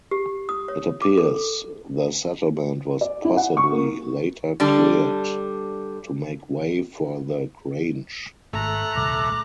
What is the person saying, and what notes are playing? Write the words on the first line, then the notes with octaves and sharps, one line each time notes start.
It appears the settlement was possibly later cleared to make way for the grange.
G4
D#6
C#5
D6
A4
D5
E4
F#5
C#6
A#3
D3 G3 D4
G#1 A3 A#5 F#6
D#1 C2 D6